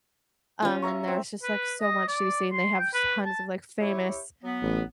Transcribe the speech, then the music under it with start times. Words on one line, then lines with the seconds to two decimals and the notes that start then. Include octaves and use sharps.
Um, and there's just, like, so much to be seen, they have s tons of, like, famous
0.62 C#4 F4
0.82 E5 A#5 C#6
1.08 C4
1.43 B4
1.81 D#5
2.08 D5
2.52 C6
2.79 G5
2.94 B4
3.26 A5
3.79 E4 G4 C#5
4.43 F#3 B3
4.62 A1